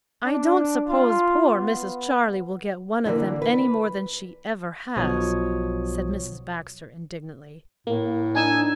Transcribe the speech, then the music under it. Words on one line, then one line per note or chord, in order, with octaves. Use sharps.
"I don't suppose poor Mrs. Charley will get one of them any more than she ever has," said Mrs. Baxter indignantly.
D4
F4
B3
D3 E3 A#3 D5
B4
B1 B2 F3 C#5 D#6
A2 A#3
D4 D#4 G#5 E6